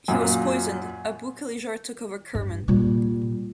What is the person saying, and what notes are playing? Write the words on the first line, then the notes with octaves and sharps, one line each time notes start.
He was poisoned; Abu Kalijar took over Kerman.
F#2 A#2
G2
A#2 G3